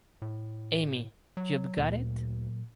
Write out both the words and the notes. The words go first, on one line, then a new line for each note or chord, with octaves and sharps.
Amy, you've got it?
A2
F#3
D2 A#2 F#3